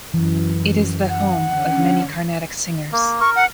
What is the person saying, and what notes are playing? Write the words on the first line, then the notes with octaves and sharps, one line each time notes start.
It is the home of many carnatic singers.
F#2 E3
F#5
D3 C#4
A#3
A#4 C#6
F#5